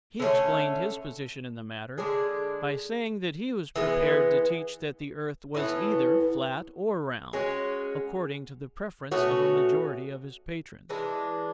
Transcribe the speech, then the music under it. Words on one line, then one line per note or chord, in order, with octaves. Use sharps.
He explained his position in the matter by saying that he was prepared to teach that the earth was either flat or round, according to the preference of a majority of his patrons.
D3 A3 C#4
D3 G#3 D4 G#4
E3 G#3 B3
A2 E3 B3
G#3 C#4 F#4
B2 A3 C#4 F#4
E3 G#3 D4